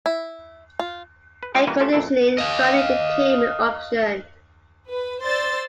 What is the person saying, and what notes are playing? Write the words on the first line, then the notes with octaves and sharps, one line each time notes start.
Air conditioning finally became an option.
E4
F4
B4
G#3 C#4 F4 C5 F5
E3 G3 A#3 F#4 B4 G#5
A3 C4 F4 G4 A4
F2 A#2 E4 A4
D#5 F5
B4
C5 D5 C6 E6 A6